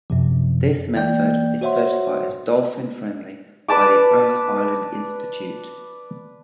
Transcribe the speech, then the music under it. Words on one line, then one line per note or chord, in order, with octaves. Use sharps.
This method is certified as "dolphin friendly" by the Earth Island Institute.
F#2 C3 F3
E3 A#3 D5 G5 G6
F#4 C5 C#5 E5 F#5 C6
B4 D5 A5 D6